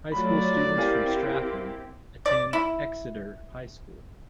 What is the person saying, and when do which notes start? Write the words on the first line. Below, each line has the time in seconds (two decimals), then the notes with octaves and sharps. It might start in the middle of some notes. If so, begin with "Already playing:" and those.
High school students from Stratham attend Exeter High School.
0.12 F#3 A3 F4 D5 B5
0.78 C4 E4 G4 A#4 F5 G#5
2.26 D5
2.53 E4